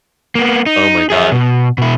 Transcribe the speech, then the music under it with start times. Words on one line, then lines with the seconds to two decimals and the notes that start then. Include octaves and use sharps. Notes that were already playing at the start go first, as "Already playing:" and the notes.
Oh, my gosh.
0.35 A#3 B3
0.66 D#4
1.10 G#4 E5
1.32 B2
1.78 B2 E4